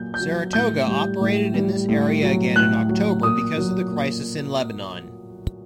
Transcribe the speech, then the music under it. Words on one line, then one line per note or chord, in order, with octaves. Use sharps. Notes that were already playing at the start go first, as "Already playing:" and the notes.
"Saratoga" operated in this area again in October because of the crisis in Lebanon.
Already playing: A#2 F#3 G6
G6
F#3
A2 G6
G3
A2
G3
A2
F#3
A2 F#6
F#3
A#2 D#6
F#3
A#2